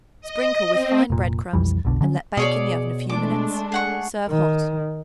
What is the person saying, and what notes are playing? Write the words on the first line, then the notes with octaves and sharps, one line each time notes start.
Sprinkle with fine bread-crumbs and let bake in the oven a few minutes. Serve hot.
D#5
C4
F1 A#2
B1 F2 E3 G3
F1 B1 B2 D3
D3 F#3 C#4
B2 G#4 C#5 D5
G#3 A3 D4 D6
G#4 F#5 C#6
D#3